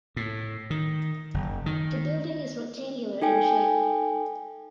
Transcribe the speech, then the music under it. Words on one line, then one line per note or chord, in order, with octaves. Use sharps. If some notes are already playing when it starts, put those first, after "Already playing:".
The building is rectangular in shape.
A2
D#3
F#1
D#3
D#4 A4 G5 G#5